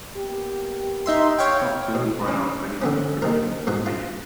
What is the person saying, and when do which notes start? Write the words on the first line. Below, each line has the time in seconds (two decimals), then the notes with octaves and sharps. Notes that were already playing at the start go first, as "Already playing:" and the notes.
Doctor's write out many prescriptions for patients.
0.17 A#3 B3 G4
1.06 D#4 E5 C6
1.39 C#5 F5 G5
1.95 B2
2.28 C#4
2.82 D3 B3 C#4
3.22 D#2 D#3 A#4
3.67 G#2 B3 F#4
3.86 F4